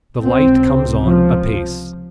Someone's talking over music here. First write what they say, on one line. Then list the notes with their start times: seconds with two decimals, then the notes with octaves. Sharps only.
The light comes on apace.
0.24 C#2 C3 C4
1.02 F3